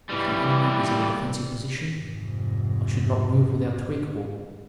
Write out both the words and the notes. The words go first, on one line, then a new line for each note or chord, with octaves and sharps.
If the enemy is in a defensive position, I should not move without three corps.
E3 G3
F1 G#2